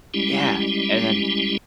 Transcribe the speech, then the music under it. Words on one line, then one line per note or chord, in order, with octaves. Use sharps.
Yeah, and then
G3 G#3 C#4 E4 G4